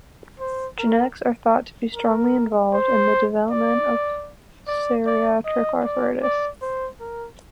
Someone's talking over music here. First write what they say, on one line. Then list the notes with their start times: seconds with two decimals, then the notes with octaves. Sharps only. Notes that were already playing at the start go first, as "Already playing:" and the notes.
Genetics are thought to be strongly involved in the development of psoriatic arthritis.
0.40 C5
0.79 A#4
1.95 A#4
2.73 C5
3.50 D5
4.67 D5
5.06 D5
5.45 D#5
5.83 D5
6.23 D5
6.62 C5
7.00 A#4